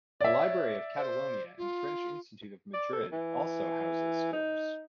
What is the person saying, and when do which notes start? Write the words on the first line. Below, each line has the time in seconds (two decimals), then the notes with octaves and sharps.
The Library of Catalonia and the French Institute of Madrid also house his scores.
0.21 C#5 D5 E5
0.97 C5
1.58 F4
2.74 D5
2.93 A4
3.12 E3
4.33 D#4